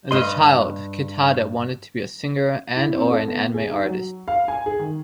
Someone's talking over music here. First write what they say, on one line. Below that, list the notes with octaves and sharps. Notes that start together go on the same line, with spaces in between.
As a child, Kitade wanted to be a singer and or an anime artist.
G2 D#5 C6
E4
C4
A4
B3
G#4
D#4
F#3
F5
G#5
G#4
D#3